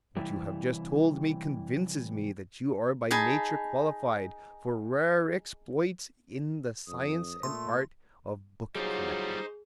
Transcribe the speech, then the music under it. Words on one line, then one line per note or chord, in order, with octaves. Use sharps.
What you have just told me convinces me that you are by nature qualified for rare exploits in the science and art of book-collecting.
C3 E3 G3
D#4 G#4 A5 B5
F2 D#6
A#2 A3 C6
F#3 G3 D#4 F4 G#4 C5